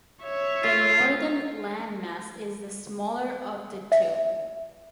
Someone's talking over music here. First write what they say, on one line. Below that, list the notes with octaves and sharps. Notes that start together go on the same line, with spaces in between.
The northern landmass is the smaller of the two.
C#5 E5
F4
E5